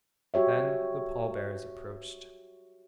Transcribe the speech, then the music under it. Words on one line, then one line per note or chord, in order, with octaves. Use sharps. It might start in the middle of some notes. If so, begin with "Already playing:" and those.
Then the pallbearers approached.
F#4 G4 C#5 E5